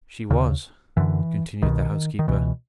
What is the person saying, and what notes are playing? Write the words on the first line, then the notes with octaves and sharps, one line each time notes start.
'She was,' continued the housekeeper.
D#2 C#3
F#2 D3 E3
C2 B2 D#3
D#3
C#2 B2 E3